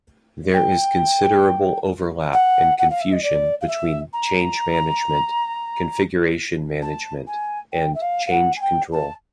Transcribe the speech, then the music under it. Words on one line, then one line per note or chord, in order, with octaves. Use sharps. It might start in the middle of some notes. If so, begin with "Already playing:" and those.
There is considerable overlap and confusion between change management, configuration management and change control.
G5
F#5
F#5
F5
E5
D#5
D5
F5
E5
A#5
A5
G#5
G5
E5
F5
F5
F#5
G#5
G5
A5